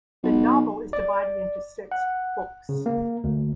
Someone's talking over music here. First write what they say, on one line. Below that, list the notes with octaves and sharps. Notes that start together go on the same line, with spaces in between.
The novel is divided into six "books".
B1
D5
F#5
C#3
A#3
D2